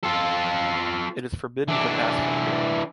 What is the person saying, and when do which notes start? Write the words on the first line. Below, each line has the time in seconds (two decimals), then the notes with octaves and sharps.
It is forbidden to pass from here.
0.03 F4 A4
1.68 E3 D4